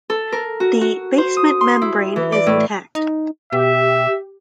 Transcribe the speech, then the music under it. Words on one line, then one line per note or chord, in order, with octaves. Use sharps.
The basement membrane is intact.
A4
A#4
F#4
F#4
C5
D#6
C6
E4
E3
D5
A2
D#4
B2 G4 E5